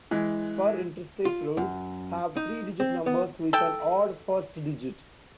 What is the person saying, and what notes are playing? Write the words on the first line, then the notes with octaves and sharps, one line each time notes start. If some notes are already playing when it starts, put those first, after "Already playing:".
Spur Interstate routes have three-digit numbers with an odd first digit.
E3 G#3
F4
F#2
D#4
C4
B3
A4 G5